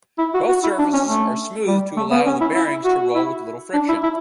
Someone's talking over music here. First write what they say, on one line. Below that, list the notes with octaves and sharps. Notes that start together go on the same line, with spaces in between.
Both surfaces are smooth to allow the bearings to roll with little friction.
E4
F#4
F#4
E4
D4
C#4
A3
G3
A3
B3
C#4
E4
E4
F#4
E4
D4
E4
E4